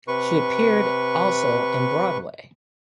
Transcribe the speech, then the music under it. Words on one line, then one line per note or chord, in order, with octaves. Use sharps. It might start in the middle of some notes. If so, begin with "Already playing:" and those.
She appeared also in Broadway.
C3 B4 C#6